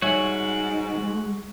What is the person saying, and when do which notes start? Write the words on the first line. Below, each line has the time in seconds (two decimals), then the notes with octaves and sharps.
I know.
0.02 G#2 G3 F#4 C#5 E5 G#5